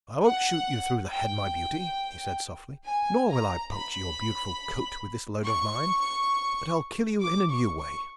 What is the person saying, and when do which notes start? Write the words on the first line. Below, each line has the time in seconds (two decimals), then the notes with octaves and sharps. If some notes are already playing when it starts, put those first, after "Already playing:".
"I won't shoot you through the head, my beauty," he said, softly, "nor will I puncture your beautiful coat with this load of mine, but I'll kill you in a new way."
0.25 F#5
1.12 G5
2.86 G#5
3.29 A#5
3.73 B5
5.47 C#6
7.20 D6
7.49 C#6
7.78 C#6